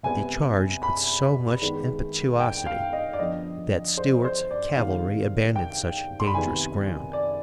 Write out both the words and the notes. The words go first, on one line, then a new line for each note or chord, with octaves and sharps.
They charged with so much impetuosity that Stuart's cavalry abandoned such dangerous ground.
C3 G3 B3 G#5
B5
D#3 G#3 B3
G5
F5
D#5
D5
D3 F3 B3 D#5
C5
C5
D5
C3 D#3 G#3 B3 F5
G5
C6
B5
C3 D#3 B3 G#5
D5